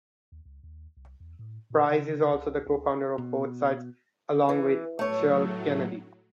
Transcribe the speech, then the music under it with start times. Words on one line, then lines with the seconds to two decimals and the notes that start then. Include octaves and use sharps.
Price is also the co-founder of both sites along with Shirl Kennedy.
0.32 D#2
0.45 C#2
0.63 D#2
0.97 C2
1.20 E2
1.39 A2
1.70 A#2
1.89 C#3
2.33 C#2
2.67 D2
3.18 B2
4.49 E3
4.99 A2 F#3 A3 C#5